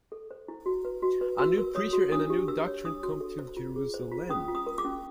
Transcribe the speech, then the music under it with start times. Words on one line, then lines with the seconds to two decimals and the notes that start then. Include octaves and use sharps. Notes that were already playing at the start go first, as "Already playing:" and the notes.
A new preacher and a new doctrine come to Jerusalem.
0.12 A4
0.31 C5
0.48 E4
0.66 F#4
0.85 B4
1.02 F#4
1.21 B4
1.39 F#4 E6
1.58 A#4
1.75 C#5 D#6
1.93 F#4
2.12 D4 D#6
2.30 G4
2.48 A#4 E6
2.67 C#5
2.85 D4 D#6
3.03 F#4
3.20 A4
3.39 C5
3.57 F4
3.76 G#4
3.94 C5
4.12 F4
4.29 C#4 D#6
4.48 F4
4.55 D#6
4.67 A#4
4.78 D6
4.85 C#4